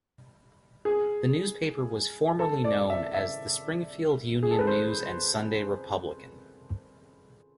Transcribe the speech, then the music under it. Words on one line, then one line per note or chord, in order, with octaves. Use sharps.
The newspaper was formerly known as "The Springfield Union News and Sunday Republican".
G#4
A4
D5
E5
E5
G#4
A4
B4
C5